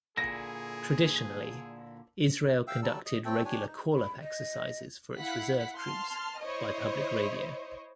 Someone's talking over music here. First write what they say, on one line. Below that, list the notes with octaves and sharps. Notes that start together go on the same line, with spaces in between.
Traditionally, Israel conducted regular call-up exercises for its reserve troops by public radio.
A#2 D3 E4 G#4 A#6
E5 F5 G5 E6
F#3 G3 A4 E6
D#5
A3 C4 A4 G5
D4 G4 C#5 G#5
D#4
B5
D#5
E4 F5 F#5 B6
A5 C6 F6
E4 C5 C#5 D#5